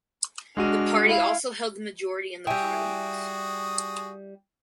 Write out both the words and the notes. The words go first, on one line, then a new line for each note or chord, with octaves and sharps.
The party also held the majority in the parliament.
G#3 D4 F#4 F6 D#7
E4 F5
G3 E4 F#4 G#4 G5 G#5 D#6